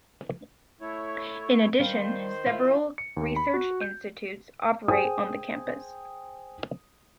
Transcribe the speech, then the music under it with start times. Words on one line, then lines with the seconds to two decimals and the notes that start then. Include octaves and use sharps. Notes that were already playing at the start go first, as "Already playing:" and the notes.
In addition, several research institutes operate on the campus.
0.81 A3 E4 C#5
1.79 D#3 G3 F4 C5
2.46 E4 F4
2.98 C#7
3.17 D#2
3.36 B5
3.54 F#4
3.81 G6
4.88 G#4 C5 G5 G#5 D#6